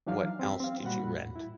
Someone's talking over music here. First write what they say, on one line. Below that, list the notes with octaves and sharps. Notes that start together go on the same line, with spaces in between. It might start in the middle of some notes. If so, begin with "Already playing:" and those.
What else did you rent?
E3 F#3 D4 D#4 F5 F6
C4 G4
C4 F5
A#2 G3 F#4 F#5 B5
E2 A2
E4